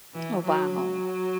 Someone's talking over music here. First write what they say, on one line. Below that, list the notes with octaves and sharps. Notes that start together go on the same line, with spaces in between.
Oh, wow.
E3
F#3
F#3